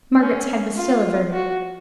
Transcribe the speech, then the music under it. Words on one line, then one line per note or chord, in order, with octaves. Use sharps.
Margaret's head was still averted.
C#4
F4
F#4